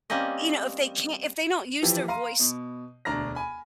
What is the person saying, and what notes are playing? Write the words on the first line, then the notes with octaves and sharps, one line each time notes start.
you know, if they can't if they don't use their voice
G3 A#3 C4 C#4 D#5
E3 F3 E4 G4
F5 A#5 C6 D#7
B2
E1 D2 D4 A#5 F6 A#6
G#5 B5